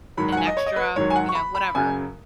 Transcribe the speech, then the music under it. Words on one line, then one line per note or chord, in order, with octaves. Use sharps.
an extra, you know, whatever.
G#2 D#3 F#3 B5
F#5
G#5
D#5
C#5
D#5
B4
G#2 D#3 F#3 C#5
G#5
F#5
C#6
B5
B5
F#2 C#3 F#3 G#5